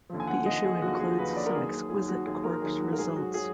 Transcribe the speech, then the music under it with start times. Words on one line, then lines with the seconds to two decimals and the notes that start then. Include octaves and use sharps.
The issue includes some exquisite corpse results.
0.09 D#2 D3 F3
0.20 G#5
0.27 F#5
0.46 D#2 D3 F3 D#5
0.64 G#4
0.82 D#2 D3 F3 F#4
0.94 F#4
0.99 G#4
1.18 D#2 D3 F3 B4
1.36 D5
1.46 A#4
1.54 D#2 D#3 F#3 G#4
1.90 D#2 D#3 F#3 G#4
2.09 F#4
2.26 D#2 D#3 F#3 G#4
2.44 A#4
2.62 D#2 D#3 F#3 G#4
2.80 F#4
2.93 A#4
2.98 G#2 F#3 G#4
3.16 F#4
3.34 F#3 G#4